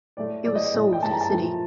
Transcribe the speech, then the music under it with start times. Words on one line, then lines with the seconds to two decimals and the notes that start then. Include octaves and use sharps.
It was sold to the city.
0.17 A2 A3 D5
0.45 A2 A3 D5
0.55 D#5
0.65 D5
0.74 A2 A3
0.83 D#5
0.93 G5
1.02 A2 A3 A5
1.12 A#5
1.21 A5
1.30 A#2 F3 A3